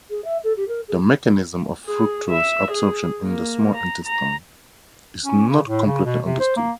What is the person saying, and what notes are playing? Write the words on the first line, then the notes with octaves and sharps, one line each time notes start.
The mechanism of fructose absorption in the small intestine is not completely understood.
G#4
E5
A4
G4
A#4
G#4
G#4
E5
G#4
A#3
A#5
A#5
C#4
C#3
A2
C#3
B2
C3
C5
A#3